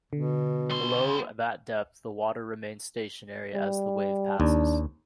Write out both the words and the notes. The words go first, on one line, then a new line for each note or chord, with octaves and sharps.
Below that depth the water remains stationary as the wave passes.
B2 D3
B3 C6
G3
D#2 D4